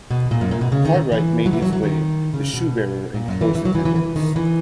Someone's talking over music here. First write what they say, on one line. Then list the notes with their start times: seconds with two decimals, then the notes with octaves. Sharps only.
Cartwright made his way, the shoe-bearer in close attendance.
0.10 B2
0.31 A#2
0.41 F#2
0.51 A#2
0.61 B2
0.72 C#3
0.85 D#3
1.12 E3
1.46 F#3
1.53 E3
1.62 F#3
1.73 F#3
1.83 D#3
2.33 C#3
2.54 B2
3.14 A#2
3.28 F#2
3.41 E3
3.55 E3
3.65 F#3
3.75 E3
3.85 E3
3.96 E3
4.16 D#3
4.36 E3